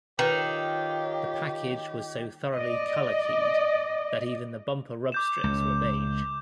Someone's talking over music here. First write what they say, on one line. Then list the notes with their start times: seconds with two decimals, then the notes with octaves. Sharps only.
The package was so thoroughly color-keyed that even the bumper rub strips were beige.
0.19 D#3 F4 G4 B4 C#5
2.55 D5 D#5
5.12 D6 G6 E7
5.44 C#2